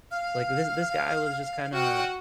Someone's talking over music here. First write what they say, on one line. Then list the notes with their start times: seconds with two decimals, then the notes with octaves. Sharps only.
like, this this guy was just kinda
0.11 F5 F6
1.73 F#4 F#5 G5 F6